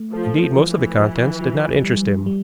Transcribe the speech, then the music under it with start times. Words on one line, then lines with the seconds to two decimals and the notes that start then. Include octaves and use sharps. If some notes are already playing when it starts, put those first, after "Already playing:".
Indeed, most of the contents did not interest him.
Already playing: A3
0.13 F3 A4
0.56 E3 F3
0.99 F3
1.41 F3
1.83 G3
2.26 G3